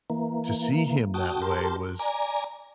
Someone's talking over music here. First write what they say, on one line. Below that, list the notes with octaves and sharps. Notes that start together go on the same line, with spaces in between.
to see him that way was
E3 A#3
F#4 G5 A5 D#6
G4 A#4 A5 C6
D5 G#5 A#5